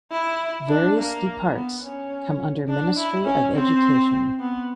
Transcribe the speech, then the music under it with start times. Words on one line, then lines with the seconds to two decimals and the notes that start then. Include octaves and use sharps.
Various departs come under ministry of education.
0.11 E4
0.68 D4
0.97 A#3
1.54 B3
1.83 C#4
2.68 D4
2.97 E4
3.25 C#4
3.54 C4
4.39 B3